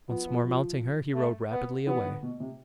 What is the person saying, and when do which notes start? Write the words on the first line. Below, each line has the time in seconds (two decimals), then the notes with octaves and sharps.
Once more mounting her, he rode rapidly away.
0.08 F3 B3
0.27 F3
0.44 F3
1.15 A3
1.51 B3
1.87 E3 B3
2.04 D3
2.23 B2
2.40 C3